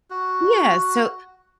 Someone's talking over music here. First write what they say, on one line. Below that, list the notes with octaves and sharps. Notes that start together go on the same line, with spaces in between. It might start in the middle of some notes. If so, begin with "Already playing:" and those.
yeah, so
F#4